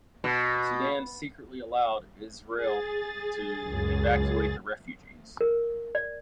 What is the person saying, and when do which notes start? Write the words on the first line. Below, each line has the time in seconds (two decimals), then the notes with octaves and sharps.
Sudan secretly allowed Israel to evacuate the refugees.
0.24 B2
2.57 G#4 A6
3.63 C#2 F#2
5.41 A#4
5.95 D5